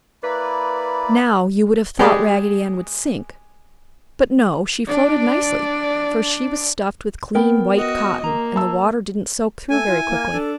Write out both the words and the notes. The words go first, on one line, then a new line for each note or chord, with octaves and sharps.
Now, you would have thought Raggedy Ann would sink, but no, she floated nicely, for she was stuffed with clean white cotton and the water didn't soak through very quickly.
A#3 E4 B4 D5
G#3 G4 G#4 D5 B5
D4 D5
B3 A#4 G5
F#4 D#5
A#3 A#5
A5 E6
A3 A4 G#5
E4 F4
A#3
D4 A4